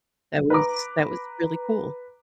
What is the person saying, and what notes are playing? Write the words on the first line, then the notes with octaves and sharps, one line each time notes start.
that was that was really cool.
B4 A#5 D6